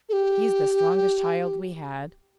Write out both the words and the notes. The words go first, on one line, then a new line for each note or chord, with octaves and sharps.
He's the strongest child we had.
A4
G4